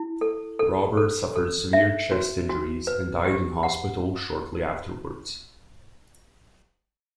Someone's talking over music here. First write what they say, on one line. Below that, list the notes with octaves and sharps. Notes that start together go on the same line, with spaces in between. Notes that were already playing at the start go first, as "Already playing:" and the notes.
Robert suffered severe chest injuries and died in hospital shortly afterwards.
Already playing: E4
A4
A4
A4
A4
E5
F#4
F#4
B4
G4
F#5